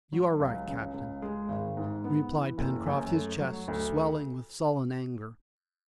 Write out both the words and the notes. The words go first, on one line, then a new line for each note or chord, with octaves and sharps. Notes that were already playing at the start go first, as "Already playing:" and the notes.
"You are right, captain," replied Pencroft, his chest swelling with sullen anger.
F#3
C#2
C#3
C#2
G#3
G#1
G#2
B3
E3
F#1
F#2
A3
F#3
D2